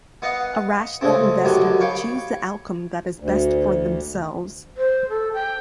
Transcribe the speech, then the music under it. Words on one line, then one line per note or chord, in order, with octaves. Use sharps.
A rational investor will choose the outcome that is best for themselves.
B3 D#5 F5 F#5
C#3 G#3 A3 C4
F#2 D3 D#3 F#3 G3
C#5 F5 G5 B5
D2
C5
A4
G5